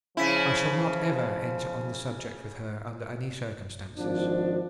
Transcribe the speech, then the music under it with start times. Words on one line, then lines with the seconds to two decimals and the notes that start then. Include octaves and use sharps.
I shall not ever enter on the subject with her under any circumstances.
0.17 C#3 F3 C#4 E4 B6
3.97 G#1 F3 D4